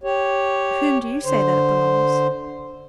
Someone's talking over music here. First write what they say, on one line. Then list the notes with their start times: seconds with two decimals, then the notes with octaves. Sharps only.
"To whom do you say that it belongs?"
0.04 G4 C#5
1.25 D3 C5